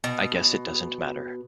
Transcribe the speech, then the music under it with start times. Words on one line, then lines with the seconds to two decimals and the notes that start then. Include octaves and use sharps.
I guess it doesn't matter.
0.04 B2